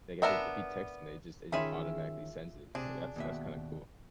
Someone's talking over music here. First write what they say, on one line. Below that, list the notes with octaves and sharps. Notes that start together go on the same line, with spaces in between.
like, if they if you text them, they just it just automatically sends it, like, that's that's kinda cool,
B3 D4 A#4 E5 B5
D#3 C#4 F4 G#4 E5 B5
C3 D4 G#4
D#2 B2 E5